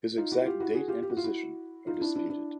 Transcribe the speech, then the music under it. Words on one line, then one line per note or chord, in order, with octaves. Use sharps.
His exact date and position are disputed.
D#4 F4
E4 F#4
F4 G4
E4 F#4
F#4 G#4
F4 G4
G4
F#4
F4
E4 F#4
D#4 F4
D4 E4
D4 E4
D4 E4